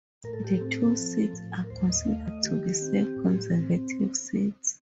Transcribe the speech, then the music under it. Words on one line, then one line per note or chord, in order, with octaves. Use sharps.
The two seats are considered to be safe Conservative seats.
A2 A#4
A4
G4
A4
C4
F3
A2
A#4
D#2 C5
D#5
A3 F5
D#5
D#3 G4
C4
A2
C4